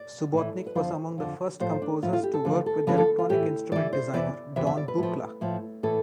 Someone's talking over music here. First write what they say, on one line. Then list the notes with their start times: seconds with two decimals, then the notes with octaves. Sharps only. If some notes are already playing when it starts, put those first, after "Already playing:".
Subotnick was among the first composers to work with electronic instrument designer Don Buchla.
Already playing: D5
0.33 A2 E3
0.67 B4
0.75 F2 D3 F3 C5
1.18 F2 D3 F3
1.60 A2 F3 C5
1.82 D4
2.02 A2 F3 F4
2.13 F4
2.23 G4
2.34 A4
2.45 D2 D3 F3
2.66 A4
2.87 D2 D3 F3 B4
2.98 A4
3.18 F4
3.29 A2 E3 G4
3.72 A2 E3 D5
3.93 C5
4.13 E2 C3 E3 D5
4.56 E2 C3 E3 E5
4.67 E5
4.77 D5
4.88 B4
4.98 A2 F3
5.41 A2 F3
5.83 A2 E3 A4